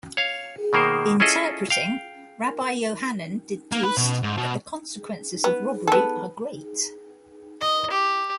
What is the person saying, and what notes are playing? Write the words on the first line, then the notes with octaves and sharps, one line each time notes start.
Interpreting Rabbi Johanan deduced that the consequences of robbery are great.
C#5 F5
B2 D#3 A#3 A#4 C5
C#4 E4 F4 G#4 A4 D#5
F5 G5
A#3
B4
B2
G#2
B2
B3
B3 A4
D#5
G4